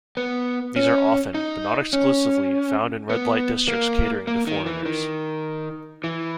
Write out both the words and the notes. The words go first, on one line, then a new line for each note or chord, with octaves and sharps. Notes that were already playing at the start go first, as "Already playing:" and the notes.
These are often, but not exclusively, found in red light districts catering to foreigners.
B3
C#4
D#4
C#4
B3
A#3
A#3
D#3
E3
D#3
E3